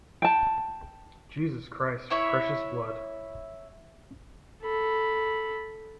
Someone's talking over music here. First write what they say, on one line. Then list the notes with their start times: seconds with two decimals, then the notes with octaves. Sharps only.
Jesus Christ, Precious blood!
0.22 G5 A5
2.10 E4 C#5 E5
4.62 A4 B5